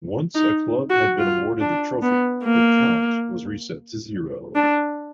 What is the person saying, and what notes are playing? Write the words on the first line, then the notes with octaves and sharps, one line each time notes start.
Once a club had been awarded the trophy, the count was reset to zero.
D#4
F#4
F4
D4
B3
A#3
D4